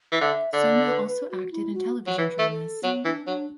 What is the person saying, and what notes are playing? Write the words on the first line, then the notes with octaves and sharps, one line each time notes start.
Sonia also acted in television dramas.
E3
D3 E5
D3 D5
B4
B4
F#4
E4
F#4
F#3
E3 B4
A3
A4
F#3 B3
E3 D4
F#3 D4